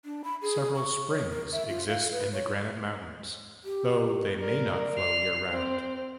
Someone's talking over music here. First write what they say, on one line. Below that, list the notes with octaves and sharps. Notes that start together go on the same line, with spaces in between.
Several springs exist in the Granite Mountains, though they may not flow year round.
D4
B5
G#4
C#6
C#5
A#4
E5
F4
F5
B4
C#5
G4
A#4 D5
C7 F7
C4